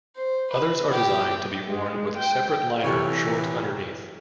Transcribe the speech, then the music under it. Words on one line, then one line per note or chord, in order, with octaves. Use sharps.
Others are designed to be worn with a separate liner short underneath.
C5
B4
G4
G#3
G5
C3 E3 A4 C#5 C#6